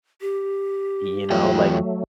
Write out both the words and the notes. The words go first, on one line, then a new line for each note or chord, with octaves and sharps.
You know, like
G4
E2 F#3 A3 F4 G5